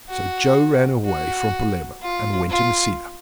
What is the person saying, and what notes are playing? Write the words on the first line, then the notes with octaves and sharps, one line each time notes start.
So Joe ran away from Palermo, and went to Messina.
F#4
F#4
F4
F4